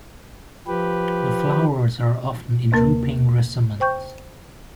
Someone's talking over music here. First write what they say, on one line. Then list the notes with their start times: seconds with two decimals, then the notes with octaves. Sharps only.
The flowers are often in drooping racemes.
0.67 F3 G4 B4
2.72 D#2 C3 A#3 A#4
3.80 C5 G5 C#6 G6